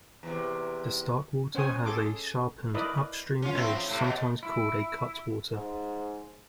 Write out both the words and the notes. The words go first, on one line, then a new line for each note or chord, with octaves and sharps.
The starkwater has a sharpened upstream edge sometimes called a "cutwater".
E2 C3
C#4 C5 C#5 G5 G#5 D#6
G#4 A4 C6 D6
E4 A#4 B4 D5 D#5
C#4 F4
A2 B3 C4
F3
A2 C3
B2
E4
G#2